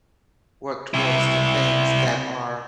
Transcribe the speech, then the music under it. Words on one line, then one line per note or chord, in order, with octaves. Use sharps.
work towards the things that are
C3 E4